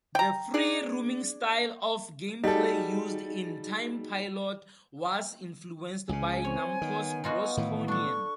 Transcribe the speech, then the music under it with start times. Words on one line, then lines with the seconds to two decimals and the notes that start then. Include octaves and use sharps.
The free-roaming style of gameplay used in "Time Pilot" was influenced by Namco's "Bosconian".
0.15 G5 A#5
0.54 D4 G#4 D5
2.44 G3 D#4 F#4 G#4 A4
6.09 C#2 C#3 G#5
6.44 C4 C#5
6.81 D#3 B3
7.24 B3 D#4 F4 F#4
7.57 A2 D#3 E3
7.88 D4 A4 C#6